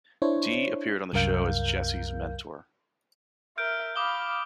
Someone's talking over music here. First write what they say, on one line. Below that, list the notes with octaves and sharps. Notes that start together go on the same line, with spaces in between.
Dee appeared on the show as Jesse's mentor.
D4 E4 C5 C#5
C2 F#2 A#4 F5 G6
A#4 E5 F6 G6 D7
F5 B5 D6 D#6 G7